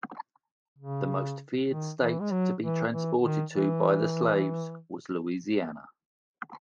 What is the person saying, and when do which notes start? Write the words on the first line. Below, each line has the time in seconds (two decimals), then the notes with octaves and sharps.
The most feared state to be transported to by the slaves was Louisiana.
0.78 C#3
1.70 D#3
2.00 E3
2.21 G#3
2.31 F#3
2.62 E3
2.91 E3
3.22 D#3
3.52 E3